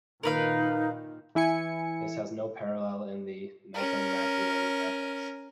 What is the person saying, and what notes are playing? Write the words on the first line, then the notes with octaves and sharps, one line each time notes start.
This has no parallel in the "Nicomachean Ethics".
A#2 D#3 D#4 A#4 B4 F5
E3 E4 G#5 C#7
C#4 A#4